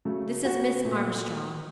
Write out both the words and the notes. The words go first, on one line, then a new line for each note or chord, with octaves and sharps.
This is Miss Armstrong.
C#3 F#3 A3 A4
F#4
A#2 A3